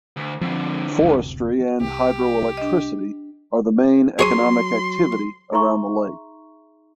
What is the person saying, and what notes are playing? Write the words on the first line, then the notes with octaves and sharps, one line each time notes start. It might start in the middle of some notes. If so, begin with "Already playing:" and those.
Forestry and hydroelectricity are the main economic activity around the lake.
D2
F2 D3 F3 C4
F#1 D2 C3
C2 G4
D4 D#5
F#3 G#4 C#5 C6 D#6
D#4 G#4 E5 A#5 C6 C#6